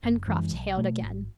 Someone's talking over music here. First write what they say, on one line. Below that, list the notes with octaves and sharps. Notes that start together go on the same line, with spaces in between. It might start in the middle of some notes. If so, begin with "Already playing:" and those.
Pencroft hailed again.
F#1
F#2 E3 G#3
B1
B2 A3
G#1